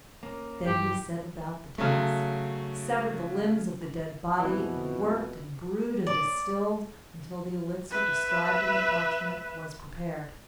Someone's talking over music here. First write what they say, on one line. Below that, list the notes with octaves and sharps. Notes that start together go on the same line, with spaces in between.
Then he set about the task, severed the limbs of the dead body, and worked and brewed and distilled until the elixir described in the parchment was prepared.
A#3 C#4
G2 E3 G4
C#3 F#3 A3
F2 B2 E3
D5
B4 E5